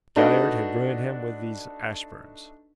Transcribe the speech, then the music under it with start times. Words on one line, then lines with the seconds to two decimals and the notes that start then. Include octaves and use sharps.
Galliard had ruined him with these Ashburns.
0.16 A3 D4 D#4 F#4 B4 D#5